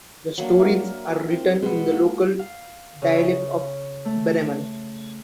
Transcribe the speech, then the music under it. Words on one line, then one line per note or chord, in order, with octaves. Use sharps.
The stories are written in the local dialect of Bremen.
F#3 A#3 D4
A#4 E5
C4
B2 G#3 B3
A#3
F5
C#3
A3